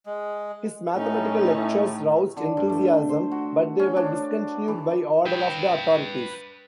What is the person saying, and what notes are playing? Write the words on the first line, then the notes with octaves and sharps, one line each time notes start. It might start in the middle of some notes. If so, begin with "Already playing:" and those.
His mathematical lectures roused enthusiasm, but they were discontinued by order of the authorities.
G#3
A2 C#4 D#4
D3
G2
A3
C5
F#4
C#4
D4
E3
B4 G5